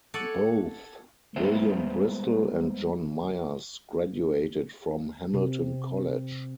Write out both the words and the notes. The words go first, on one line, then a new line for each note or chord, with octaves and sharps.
Both William Bristol and John Myers graduated from Hamilton College.
A4 C#5 D5 F#5 G#5
G3 G#3 B3 C5 E5
C3